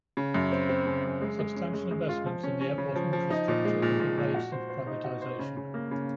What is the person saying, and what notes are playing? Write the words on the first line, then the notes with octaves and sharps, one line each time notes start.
Substantial investments in the airport infrastructure have been made since the privatization.
C#3
F#2
C4
C4
C#3
F#2
G#3
G#3
C#4
G#3
G#3
F4
F3
C#4
C#4
C#3
F3
F3
D#4
A#2
G#3
A#2
A#2
A#2
F#4
C5
C5
D#4
F#4
C5
C#3
C#3
A#3
C#3